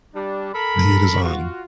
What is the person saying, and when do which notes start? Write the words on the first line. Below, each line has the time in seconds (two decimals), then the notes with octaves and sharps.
The Heat Is On.
0.15 G3 D4
0.54 A4 A#4 A#5 B5
1.24 F4 F#4